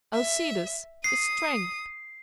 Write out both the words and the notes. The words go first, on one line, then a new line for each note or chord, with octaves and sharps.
Alcides is strength.
E5
D#6 C7